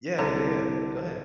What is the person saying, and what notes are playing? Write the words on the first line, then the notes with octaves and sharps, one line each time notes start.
Yeah, yeah, yeah. Go ahead.
C2 D3 A4 C#5 A#5